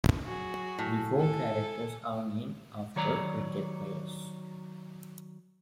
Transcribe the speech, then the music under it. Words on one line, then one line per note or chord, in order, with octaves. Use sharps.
The four characters are named after cricket players.
F#3 F#4 G#4
A2
A4 G#5
D#3 F#3 C#5 D5 A#5